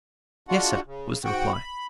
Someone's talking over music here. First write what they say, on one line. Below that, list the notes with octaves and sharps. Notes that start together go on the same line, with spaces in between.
"Yes, sir," was the reply.
G#3 D4 F4 F#4 F#5
C#3
G#2 F#4 F#5 G5
B5